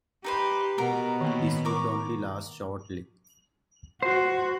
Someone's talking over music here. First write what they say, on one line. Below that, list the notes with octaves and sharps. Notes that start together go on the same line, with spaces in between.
This would only last shortly.
D#4 G4 B4 C5
B2 A#4 F#5
D#3 A#3
A#4 C#6 D6
F#4 C5